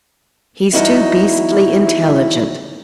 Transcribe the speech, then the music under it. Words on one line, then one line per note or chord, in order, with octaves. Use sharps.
He's too beastly intelligent.
E2 D#4 E4 F#4